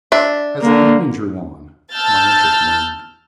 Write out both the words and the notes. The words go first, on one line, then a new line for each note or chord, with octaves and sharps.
'As the evening drew on, my interest waned.
D4 E5
D3 A#3
A5 E6 F6 G6 A6